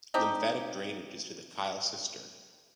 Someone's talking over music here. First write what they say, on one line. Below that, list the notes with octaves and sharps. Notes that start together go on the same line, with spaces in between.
Lymphatic drainage is to the chyle cistern.
C4 D4 D#4 G4